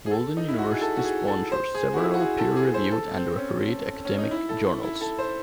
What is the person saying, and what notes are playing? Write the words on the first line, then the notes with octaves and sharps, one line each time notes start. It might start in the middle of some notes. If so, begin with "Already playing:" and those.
Walden University sponsors several peer-reviewed and refereed academic journals.
G#4
A4
D#4
E4
F#4
G#4
A4
F#4
G#4
A4
C5
G#4
F#4
E4
F#4
G#4
A4
G#4
C5
A4
C4
C#4
C#4
D#4
E4
A4
E4
A4
C5